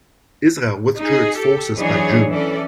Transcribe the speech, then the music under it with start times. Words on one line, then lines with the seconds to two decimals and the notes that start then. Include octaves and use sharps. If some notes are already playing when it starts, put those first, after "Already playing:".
Israel withdrew its forces by June.
0.97 D#4 G#4
1.36 G4 A4
1.76 E3 F#3 D4 D#4 G#4 C#5
2.30 E3 C#4 A4 D5